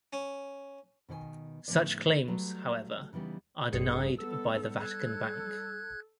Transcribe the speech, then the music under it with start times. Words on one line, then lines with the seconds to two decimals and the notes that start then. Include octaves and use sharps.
Such claims, however, are denied by the Vatican Bank.
0.13 C#4
1.09 B2 D#3 C#5 G#5
1.68 A2 D3 F3 B3 D5
2.28 F#3 G3 A3 B4
3.13 C#3 E3 G3 B3 D#4
3.72 A1 G2 G#4 C#7
4.18 G3 B3 A4 E6
4.81 A4 F#6 G#6